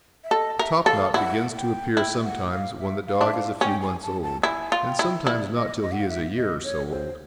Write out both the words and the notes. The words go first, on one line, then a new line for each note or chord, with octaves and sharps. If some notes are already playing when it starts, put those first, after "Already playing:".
The topknot begins to appear sometimes when the dog is a few months old, and sometimes not till he is a year or so old.
E5
A4 D#5
A#4 E5
A4 F5
E4 F#5
G5
E4 G5
F#5
F5
E5
F5
D4 E5
F5
C#4 G5
G#5
A5
A5
E4 G#5
F4
G5
E4
E4 D5
D#5
D#5
F#5
F5
E5
D#5
C#5
C5